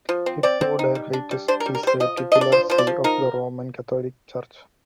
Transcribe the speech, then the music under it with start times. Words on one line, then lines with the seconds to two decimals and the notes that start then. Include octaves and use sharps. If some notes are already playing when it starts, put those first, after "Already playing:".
Hippo Diarrhytus is a titular see of the Roman Catholic Church.
0.09 F3
0.26 C4
0.43 C4 D5
0.61 C4
0.79 D#4
0.95 G3
1.13 D4
1.31 G3
1.48 D4 C5
1.60 A#4
1.66 G3
1.75 A#4
1.83 G3 C5
2.00 F3 D#5
2.17 F3
2.32 D4 D#5
2.41 D5
2.52 F3 C5
2.70 F3 C5
2.78 D5
2.87 F3
3.04 D#4 A#4